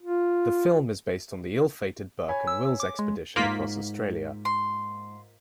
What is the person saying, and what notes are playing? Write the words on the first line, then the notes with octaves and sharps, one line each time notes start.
The film is based on the ill-fated Burke and Wills expedition across Australia.
F4
C#5 G#5 B5
E6
D6
G#3
G#2 A#3 F4 B6 F#7
C6